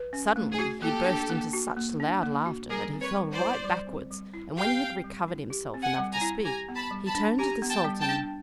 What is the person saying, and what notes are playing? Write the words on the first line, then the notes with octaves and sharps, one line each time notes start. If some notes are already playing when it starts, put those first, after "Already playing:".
Suddenly he burst into such loud laughter that he fell right backwards, and when he had recovered himself enough to speak, he turned to the Sultan.
Already playing: B4
C#4
A3
G#4
F#4
A#3 G4 A4
D4
A#3
F#4
A#3
D4
A#3
F#4
G3 G#4 A#4
C4
B4 C#5
G3
C5 D5
E4
G3
C4
G3
E4
G4 F5 G5
C4
G3
E4
G4
C4
F#5 G#5
G3
G#5 A#5
E4
G4 G#5 A#5
B3
A5 B5
G3
A5 B5
D4
G4 G#5 A#5
B3
G5 A5
G3
G5 A5
D4